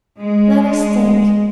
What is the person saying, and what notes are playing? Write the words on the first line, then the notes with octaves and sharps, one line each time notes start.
Let us think.
G#3